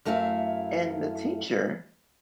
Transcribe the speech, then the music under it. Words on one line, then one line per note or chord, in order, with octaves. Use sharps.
and the teacher
F#2 A3 E4 E5 F5